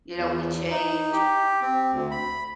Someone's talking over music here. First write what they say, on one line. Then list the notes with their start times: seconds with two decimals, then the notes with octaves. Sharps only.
You know we changed
0.16 E2
0.71 D#4
1.12 G4
1.62 C4
1.91 D2
2.11 B5